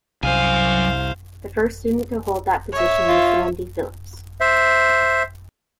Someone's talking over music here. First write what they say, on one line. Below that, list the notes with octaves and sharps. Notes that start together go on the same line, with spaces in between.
The first student to hold that position was Sandy Phillips.
C2 F#2 C5 F5 G#5
C#5 E5
F4
C5 E5